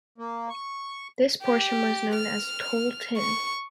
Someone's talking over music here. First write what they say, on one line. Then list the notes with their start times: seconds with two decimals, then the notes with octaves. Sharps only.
This portion was known as toll tin.
0.18 A#3
0.49 C#6
1.42 G4
2.15 F6
3.17 C#6